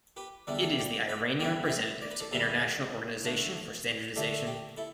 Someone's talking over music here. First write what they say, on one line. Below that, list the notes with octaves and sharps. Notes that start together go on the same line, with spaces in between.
It is the Iranian representative to International Organization for Standardization.
G4 B4
E2 D3 G3 E4 D5
E5
A4 D5
D5 G5
B4 E5
E2 D3 G3 E4 D5 G5
G5
B4 E5
D5
B4
A4 D5
E2 D3 G3 E4 G4 B4
D3 A3 D4
D3 A3 D4 G4
G4
E4 A4